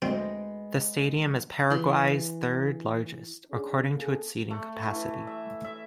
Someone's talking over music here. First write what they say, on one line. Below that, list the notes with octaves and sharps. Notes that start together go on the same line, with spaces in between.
The stadium is Paraguay's third largest, according to its seating capacity.
D2 G#3 B3 C4 D#5 G5
E3 C6
C#4 D4 G#4
A#3 C#4 G#4 A4
A3
E4
E3
E5
E5